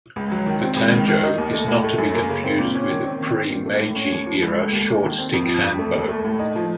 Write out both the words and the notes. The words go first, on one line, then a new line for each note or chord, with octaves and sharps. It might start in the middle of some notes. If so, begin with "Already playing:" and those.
The tanjo is not to be confused with the pre-meji era short stick hanbo.
C#2
F#3
D#3
C4
C#2
D#3
D#3
D#4
D#2
A3
A2
A3
F#2
A#3
C#3
C4
A#2
C#4
D#3
C4
D#3
C4
A#2
A3
A2
C#4
D#2
F3
C#2
A3
D#2
A#3
D#3
C4
F2
F3
F2
A3
D#2
A3
A2
D#4
F3